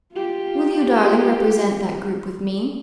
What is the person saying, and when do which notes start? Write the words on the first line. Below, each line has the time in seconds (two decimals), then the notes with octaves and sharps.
"Will you, darling, represent that group with me?"
0.13 F4 G4